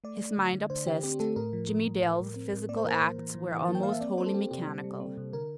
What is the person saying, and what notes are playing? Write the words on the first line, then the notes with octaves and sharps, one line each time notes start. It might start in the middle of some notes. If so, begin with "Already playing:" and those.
His mind obsessed, Jimmie Dale's physical acts were almost wholly mechanical.
A3 D5
A3
D3
D3
D3 C5
D3 G4
C4 G4
A3 A4
A2 A#4
F3
A2
A2
A2
A2
C4
A2
A#3 D5
C5
E3 A#4
C5
E3
E3
E3
E3
A#3 A5
G5
A#3 F5
E5
C4 D5
C4 C5
A4
C4 G4
C3 G4
G3
G3
C4
C3
D3 A#4